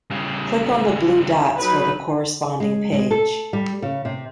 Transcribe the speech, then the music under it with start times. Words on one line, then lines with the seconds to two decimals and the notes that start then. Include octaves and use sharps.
Click on the blue dots for the corresponding page.
0.11 C#3 G3
1.58 F#3 D#4 B4
2.60 G#3
2.93 G#3
3.11 A4
3.53 G3
3.82 C#3
4.05 C3